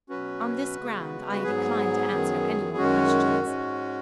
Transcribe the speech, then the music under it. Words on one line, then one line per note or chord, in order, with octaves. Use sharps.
On this ground, I declined to answer any more questions.
B2 F#3 C#4 F#4 B4
C#3 G#3 B3
F#4
G#2 F#3 B3 G#4
F#2 D#3 F#3 B3
F#2 D#3 G#3 C#4 F#4
G#2 G#3 C#4